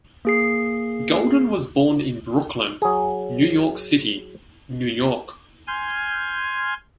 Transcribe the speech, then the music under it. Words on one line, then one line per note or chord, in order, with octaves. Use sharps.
Golden was born in Brooklyn, New York City, New York.
A#3 G#4 C7
F#3 G#4
G#5 C6 F6 G6 G#6